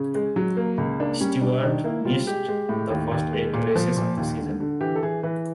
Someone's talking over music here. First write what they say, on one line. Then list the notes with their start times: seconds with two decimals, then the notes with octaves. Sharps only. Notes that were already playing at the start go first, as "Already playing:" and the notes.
Stewart missed the first eight races of the season.
Already playing: C#3 C#4
0.15 G#3
0.36 F#3
0.57 A#3
0.78 C#2
1.00 A#3 D4
1.21 G3 C#4
1.41 G3 D4
1.63 D#3 D4
1.84 A#3 E4
2.05 G3 F4
2.26 G#3 G4
2.48 G#3
2.69 A2
2.90 D#2
3.11 D#2
3.33 G#3
3.53 A#2
3.76 F3
3.97 A#2
4.17 D#2
4.38 D3
4.60 D3
4.81 E3 G4
4.95 A4
5.03 E3 G#4
5.23 E3 B4